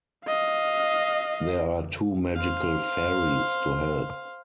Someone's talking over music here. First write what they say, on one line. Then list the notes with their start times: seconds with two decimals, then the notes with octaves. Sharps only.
There are two magical fairies to help.
0.25 D#5 F5
2.36 C5 F5